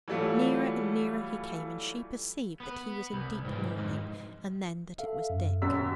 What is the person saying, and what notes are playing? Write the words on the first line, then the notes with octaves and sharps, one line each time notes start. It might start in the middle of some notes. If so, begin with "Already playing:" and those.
Nearer and nearer he came, and she perceived that he was in deep mourning, and then that it was Dick.
E3 F#3 G3 A3 F4
B3 B4
C2
G#2 E3
F2 G#2
A4 E5 F5
F#2
D#1 F#2 E6 B6